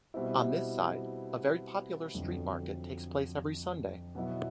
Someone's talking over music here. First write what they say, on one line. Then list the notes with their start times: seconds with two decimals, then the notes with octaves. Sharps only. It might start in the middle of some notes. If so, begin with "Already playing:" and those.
On this side, a very popular street market takes place every Sunday.
0.14 B2 G3 C4 E4
2.14 F2 D3 F#3
4.15 B2 F#3 B3 E4